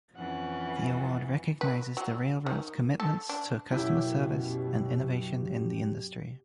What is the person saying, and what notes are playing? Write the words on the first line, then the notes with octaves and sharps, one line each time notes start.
The award recognizes the railroads' commitments to customer service and innovation in the industry.
F2 E3 C#4 F#5
B4
F#3
D#3
A4
D4
F#2 B2 F#3 E4 G4